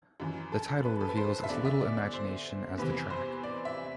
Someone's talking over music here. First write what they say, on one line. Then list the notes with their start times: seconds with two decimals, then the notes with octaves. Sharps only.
The title reveals as little imagination as the track.
0.20 F#2 E3
0.52 A4
0.85 B4
1.01 A4
1.09 B4
1.17 C5
1.44 E5
1.49 E2 D3 D5
1.65 E5
1.81 D5
1.97 D5
2.13 C5
2.78 E2 C3 E3 B4
3.10 C5
3.44 D5
3.65 E5